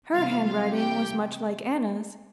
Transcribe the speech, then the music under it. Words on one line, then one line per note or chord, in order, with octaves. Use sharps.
Her handwriting was much like Anna's.
C3 E3 G3 F4 F5
F4 F5
G4 G5